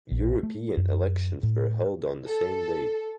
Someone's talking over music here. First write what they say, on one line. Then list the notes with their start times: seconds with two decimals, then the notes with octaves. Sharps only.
European elections were held on the same day.
0.11 A#1
0.43 A3
0.77 F#2
1.43 A2
2.26 A4